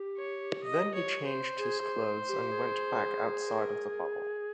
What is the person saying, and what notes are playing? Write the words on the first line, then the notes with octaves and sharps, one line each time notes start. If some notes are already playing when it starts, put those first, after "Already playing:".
Then he changed his clothes and went back outside of the bubble.
Already playing: G4
C#5
D#5
C#5
C5
G#4
G#4
G4
G#4
A#4